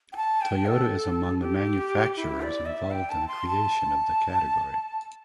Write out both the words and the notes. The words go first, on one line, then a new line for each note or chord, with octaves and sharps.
Toyota is among the manufacturers involved in the creation of the category.
G5
A5
G5
A4
G4
E4
D5
E5
G5
A5
C6
A5